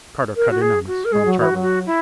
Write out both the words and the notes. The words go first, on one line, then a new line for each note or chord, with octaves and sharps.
Carter cut in on us from the chart room.
A#4
F#4
G#4
F#4
A#4
G#3 G#4
F#3
E3 F#4
F#3
F#4
E4